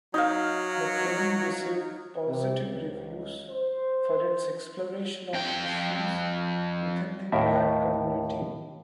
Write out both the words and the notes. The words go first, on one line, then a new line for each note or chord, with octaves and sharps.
The film received positive reviews for its exploration of issues within the black community.
F#3 D#4 F5
C3
C#2
C5
F2 G5
D#2 A2 A#4 E5 G5